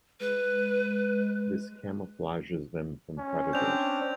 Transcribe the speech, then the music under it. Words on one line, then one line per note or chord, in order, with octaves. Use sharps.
This camouflages them from predators.
G#3 B4
C#4
C4 D4 G6 F7